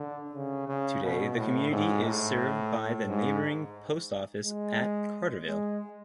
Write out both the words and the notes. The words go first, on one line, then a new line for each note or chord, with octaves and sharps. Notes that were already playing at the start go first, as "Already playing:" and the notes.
Today, the community is served by the neighboring post office at Carterville.
Already playing: D3
C#3
C#3
B2
A2
G#2
A2
G#2
G#3
G#3